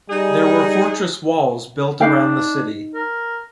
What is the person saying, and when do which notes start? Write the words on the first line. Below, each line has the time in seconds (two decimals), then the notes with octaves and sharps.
There were fortress walls built around the city.
0.10 G3 D#4 G#4
2.01 D4 D#4 F5 G5
2.94 A#4